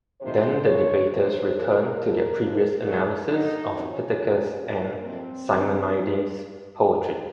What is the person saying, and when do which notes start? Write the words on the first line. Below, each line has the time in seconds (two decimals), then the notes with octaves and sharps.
Then the debaters return to their previous analysis of Pittacus' and Simonides' poetry.
0.21 F2 C3 D#3 C5
0.65 F#2 C#3 F3 C#5
1.09 F#2 C#3 F3 C5
1.53 F2 C#3 F3 A#4
1.97 A#2 F3
2.41 F#2 F3 A#4
2.84 F2 C#3 F#3
3.29 D#2 D#3 F#3 D#4
3.73 F2 C3 D#3 F#3 C#4
4.17 A2 F3
4.61 A#2 F#3 A#3
5.04 F2 C3 F3 C4
5.49 F2 D#3 F#3